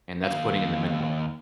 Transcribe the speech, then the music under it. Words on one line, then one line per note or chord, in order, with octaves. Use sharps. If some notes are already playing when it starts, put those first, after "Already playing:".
And that's putting in the minimum.
D#2 F5